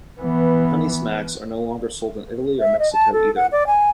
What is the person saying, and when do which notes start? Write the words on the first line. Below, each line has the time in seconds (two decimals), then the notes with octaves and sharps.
Honey Smacks are no longer sold in Italy or Mexico either.
0.21 E3 B3
2.60 E5
2.79 D#5
2.93 A5
3.13 A4
3.36 F#5
3.52 D5
3.67 G#5